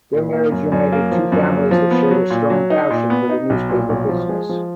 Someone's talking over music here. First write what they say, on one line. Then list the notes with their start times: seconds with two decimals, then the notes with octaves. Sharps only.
Their marriage united two families that shared a strong passion for the newspaper business.
0.13 A#2
0.33 A#3
0.52 F#2
0.72 F#2
0.92 A#3
1.11 F3
1.32 F#2
1.51 A#3
1.71 F3
1.91 B3
2.11 F#3
2.30 A#2
2.50 F#3
2.70 D#4
2.90 A#2
3.10 B3
3.29 D#4
3.50 B1
3.69 A#2
3.89 B1
4.09 F3
4.29 G#3
4.49 F3